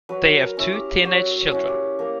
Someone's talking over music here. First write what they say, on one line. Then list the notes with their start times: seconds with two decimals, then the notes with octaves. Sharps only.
They have two teenage children.
0.09 F#3 B4
0.41 A#4
0.57 C#4 E4
0.73 G4
1.04 F#3 F#4
1.52 C#4 E4
1.67 G4
1.99 A#3 A#4